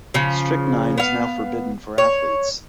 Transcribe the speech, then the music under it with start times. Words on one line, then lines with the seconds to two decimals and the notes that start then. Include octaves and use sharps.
Strychnine is now forbidden for athletes.
0.14 C#3 F3
0.98 B3 F5
1.98 C#5